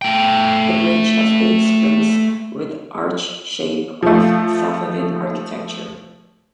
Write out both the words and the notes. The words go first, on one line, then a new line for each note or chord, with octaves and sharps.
This bridge has eight springs with arch shape of Safavid architecture.
A3 G5
F3 A3